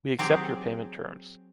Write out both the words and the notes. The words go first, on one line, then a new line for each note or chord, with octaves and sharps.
We accept your payment terms.
F#3 C4 G4 G#4